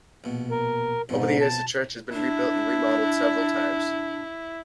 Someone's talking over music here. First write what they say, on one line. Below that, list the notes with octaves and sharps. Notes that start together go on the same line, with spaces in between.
Over the years the church has been rebuilt and remodeled several times.
A#1 B2
A#4
F2 G#2 B2 F3
A5
D4 E4